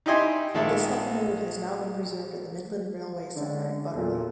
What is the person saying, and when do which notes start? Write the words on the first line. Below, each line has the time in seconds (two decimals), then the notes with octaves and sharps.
This locomotive has now been preserved at the Midland Railway Centre at Butterley.
0.06 D#4 E4 G4 D#5 G#5 C6
0.54 A#1 D#3 G#3 A4 E5
3.36 D3 G#3 C#4 D4
3.94 E2 A#2 E3 F#3 F4 A4